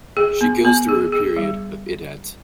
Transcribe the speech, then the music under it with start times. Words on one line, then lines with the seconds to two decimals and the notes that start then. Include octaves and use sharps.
She goes through her period of "iddat".
0.17 G#4
0.41 B3
0.65 B3
0.89 G#4
1.12 G#4
1.36 G3